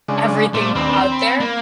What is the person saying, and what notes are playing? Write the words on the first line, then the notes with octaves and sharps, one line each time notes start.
everything out there.
C#3 G#3 D4
A#2 A3 C5 D6
D#2 C4 D4 B4
B5
A#3